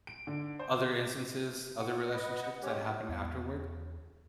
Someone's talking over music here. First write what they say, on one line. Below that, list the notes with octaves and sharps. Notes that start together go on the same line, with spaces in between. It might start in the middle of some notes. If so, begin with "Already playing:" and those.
other instances, other relationships that happened afterward.
D7
D3
C5
F#5
B4 D#5
G#3 C#4 G4 C#5
E2 B3